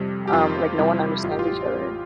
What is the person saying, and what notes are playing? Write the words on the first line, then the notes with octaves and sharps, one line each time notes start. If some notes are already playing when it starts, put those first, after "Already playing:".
um, like, no one understands each other?
Already playing: F2 C3 G3
G4
F2 F4
C3 G3 E4
A1 F4
G4
F4
G4